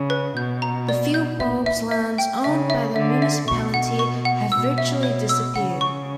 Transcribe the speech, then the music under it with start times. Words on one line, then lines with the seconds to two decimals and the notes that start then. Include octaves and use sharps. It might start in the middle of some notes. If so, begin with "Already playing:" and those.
The few bulbs lands owned by the municipality, have virtually disappeared.
Already playing: C#3
0.10 B4
0.37 B2 G6
0.62 A#5
0.89 D5
1.14 G6
1.40 A#2 E5
1.66 E5
1.91 E5
2.18 G5
2.44 C#3 E5
2.70 E5
2.96 D3 E5
3.22 E5
3.48 B2 C#6
3.74 F#5
3.99 C#6
4.25 F#5
4.52 B2 E6
4.78 E5
5.03 C#5
5.29 E6
5.56 C#3 F#5
5.81 C#6